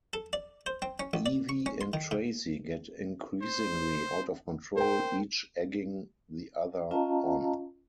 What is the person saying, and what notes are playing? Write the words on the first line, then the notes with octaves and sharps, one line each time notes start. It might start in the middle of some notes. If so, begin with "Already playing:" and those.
Evie and Tracy get increasingly out of control, each egging the other on.
A4
D5
C5
C4
C#4
A1
D5
C#6
C#4
C6
D#3
C3
C5
A#4 C5 G5
C#4 F4 D#5 F5 A5 A#5